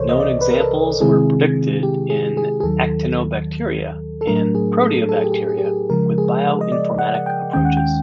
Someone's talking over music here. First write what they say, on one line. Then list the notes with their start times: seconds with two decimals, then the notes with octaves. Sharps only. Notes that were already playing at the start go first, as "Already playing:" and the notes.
Known Examples were predicted in Actinobacteria and Proteobacteria with bioinformatic approaches.
Already playing: C2 C3 E3 A4 A#4 C5 C#5
0.09 D#5
0.20 D5
0.41 B4
0.50 A#4
0.60 A4
1.00 C3 D#3 G#3 C4 E4 G#4
1.83 G4
2.10 G#4
2.37 G#4
2.60 G#4
2.63 D#2 D#3 F#3 A4
4.21 A4
4.27 A2 F#3 A3 D4 A#4
4.55 G#4
4.81 A4
5.09 A4
5.16 G#4
5.24 G4
5.32 G#4
5.49 G#4
5.58 G4
5.65 G#4
5.90 C#3 F3 G#3 A#4
6.18 G#4
6.61 D#5
6.72 D5
6.99 F#5
7.15 F#5
7.26 G5
7.53 D#2 D#3 G#3 C#4 G5
7.65 F#5
7.77 G5